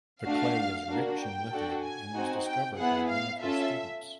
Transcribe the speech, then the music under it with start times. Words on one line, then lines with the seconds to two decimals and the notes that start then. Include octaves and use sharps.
The clay is rich in lithium and was discovered by one of her students.
0.24 A3 D4 F#4 F5
0.88 A#3 D4 F#4
1.19 G5
1.50 D4 F#4 A4
1.82 G#5
2.14 C4 D#4 F#4
2.46 G5
2.77 B3 E4 G#4 F#5
3.09 F5
3.41 C#4 F4 A4 E5